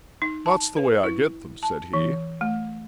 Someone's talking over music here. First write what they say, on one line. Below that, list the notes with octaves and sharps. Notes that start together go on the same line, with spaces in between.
"That's the way I get them," said he.
D#4
A5
B4
E4
A5
E3
A3